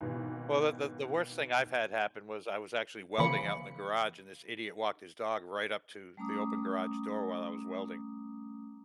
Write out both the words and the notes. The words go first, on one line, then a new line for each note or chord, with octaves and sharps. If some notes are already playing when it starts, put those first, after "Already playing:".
Well, that that the worst thing I've had happen was I was actually welding out in the garage and this idiot walked his dog right up to the open garage door while I was welding,
G#1 B2 E3
C#3 E3 F3 A#3 B5 C#7
G3 A3 C#4 A#5 D6 D#6